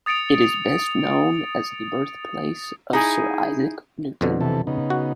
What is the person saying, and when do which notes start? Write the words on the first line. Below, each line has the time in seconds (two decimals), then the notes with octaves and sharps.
It is best known as the birthplace of Sir Isaac Newton.
0.06 D#6 A6 C#7 D7 F7
2.93 D#4 E4 G#4
4.21 F2 B2 D3
4.41 C3 E3 A4
4.67 C#3 B3 D#4
4.90 F#4